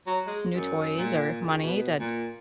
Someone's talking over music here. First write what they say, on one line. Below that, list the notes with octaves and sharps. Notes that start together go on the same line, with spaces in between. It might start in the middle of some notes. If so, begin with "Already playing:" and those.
new toys or money that
F#3
G#3
F#2
A#2
C#2
B2
A#2